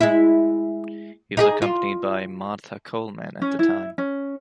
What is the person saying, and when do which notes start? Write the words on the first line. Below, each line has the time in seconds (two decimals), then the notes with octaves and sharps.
He was accompanied by Martha Coleman at the time.
0.01 G#3 E4
1.37 D#4 G4 G#4
1.62 F4
3.42 C#4
3.59 E4
3.98 C#4